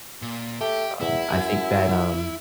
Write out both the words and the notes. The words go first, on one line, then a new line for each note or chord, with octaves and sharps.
um, I think that, um
A#2
A3 G4
E2 E4
F#2